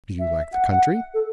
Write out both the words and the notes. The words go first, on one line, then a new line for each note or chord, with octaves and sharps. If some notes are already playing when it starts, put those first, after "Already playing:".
"Do you like the country?"
E5
F#5
F#5
A4